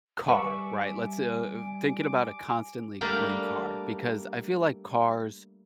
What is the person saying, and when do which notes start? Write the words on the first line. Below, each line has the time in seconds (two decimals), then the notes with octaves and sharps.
car, right? Let's, uh uh, thinking about a constantly clean car, because I feel like cars,
0.28 G3 B4 E5 G#5 C#6 D6
3.01 G3 A3 A#3 D4 G4 A#4